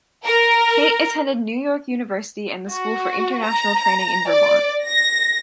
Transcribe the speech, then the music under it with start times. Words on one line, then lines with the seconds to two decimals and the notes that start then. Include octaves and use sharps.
Kate attended New York University and the School for International Training in Vermont.
0.23 A#4
2.70 F#4
3.45 A#5
4.29 D5
4.85 A#6